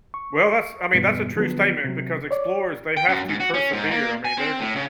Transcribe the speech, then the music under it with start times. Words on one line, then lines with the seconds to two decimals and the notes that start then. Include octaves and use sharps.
Well, that's I mean, that's a true statement because explorers, they have to persevere, I mean, they're
0.14 C#6
0.93 E2 G2 B2 G3 B3
1.36 D3 F3 F#3 B3
1.84 C3 F#3
2.31 C#5 D5
2.97 G5
3.09 F#2
3.28 G#2
3.40 F#4
3.54 C#4
3.73 G#2
3.91 A#3
4.25 G#5
4.38 C4
4.60 A2
4.75 C#3